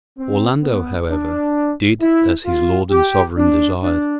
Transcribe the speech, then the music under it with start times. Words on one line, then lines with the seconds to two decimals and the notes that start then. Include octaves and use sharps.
Orlando, however, did as his lord and sovereign desired.
0.18 C4
0.63 B3
1.08 D4
2.01 E4
2.46 F4
2.91 G4
3.37 D4
3.83 D4